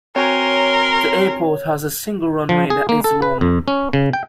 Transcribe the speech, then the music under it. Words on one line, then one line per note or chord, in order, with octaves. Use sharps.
The airport has a single runway that is long.
C4 F#4 A#4 C#5 G#5 C6
F3
G#4
A#3
A4
B4
F2
C#4
C#3
G5